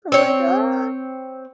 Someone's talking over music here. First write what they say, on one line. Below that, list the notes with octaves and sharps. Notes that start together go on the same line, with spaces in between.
I'm like, "Ah."
C4 C#5